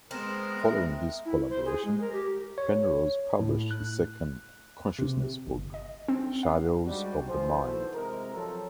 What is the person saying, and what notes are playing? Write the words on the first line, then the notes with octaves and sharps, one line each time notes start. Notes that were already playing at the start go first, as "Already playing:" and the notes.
Following this collaboration, Penrose published his second consciousness book, "Shadows of the Mind".
G#3 B3 C4 A#4
E5
E4
C5
G#4
G#3
A#4
G4
C#5
A2
F#6
C3
G1
D#5
C4
F5
G#2 G3 D4 F#4
G#2 E3 F3 G#4 C5
B1 E2 A3 E4 F#4 C5
G#1 C3 G#3 A#4
F3 F#3 C4 A4